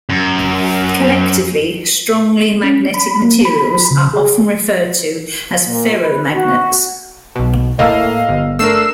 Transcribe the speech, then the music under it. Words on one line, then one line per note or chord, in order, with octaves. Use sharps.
Collectively, strongly magnetic materials are often referred to as ferromagnets.
F#2
C#4
B5
A#3
B5
C#3
G#4
A#2
B4
F#4
B1 B2
A2 A#3 D#5 F5 E6
G1
A3 D4 A#4 E6 C7 E7